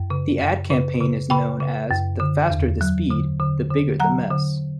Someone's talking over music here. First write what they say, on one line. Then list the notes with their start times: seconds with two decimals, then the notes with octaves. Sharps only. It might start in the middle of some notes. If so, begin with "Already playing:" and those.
The ad campaign is known as The Faster the Speed, the Bigger the Mess.
Already playing: F#2
0.10 C#3
0.42 F#2
0.70 C#3
1.01 C#3
1.30 C#3 G5 B5
1.60 C#3
1.90 F#2
2.20 D3
2.50 E2
2.81 F#3
3.10 D3
3.40 D3
3.70 D3
4.00 F#3 F#5 A#5
4.30 D3